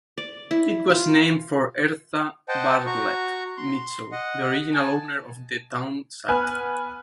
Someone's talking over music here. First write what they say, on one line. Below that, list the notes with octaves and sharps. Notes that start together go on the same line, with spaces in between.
It was named for Ezra Bartlett Mitchell, the original owner of the town site.
D5
E4
F4
C5 D#5 F#5 G5 A5
F#4 A#5 C#6
C6
D#5 F#5
G#5 A5
B3 B4 G#5 F6 F#6